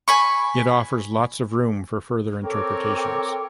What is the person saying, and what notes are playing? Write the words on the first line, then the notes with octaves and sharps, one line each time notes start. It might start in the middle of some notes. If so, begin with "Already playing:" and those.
It offers lots of room for further interpretations.
G#5 B5 C#6
C4 A4 A#4 C#5 G5 D6